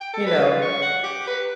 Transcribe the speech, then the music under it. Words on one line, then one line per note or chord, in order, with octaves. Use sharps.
you know?
G5
A4
B4
F4
C#6
F#5
G4
B4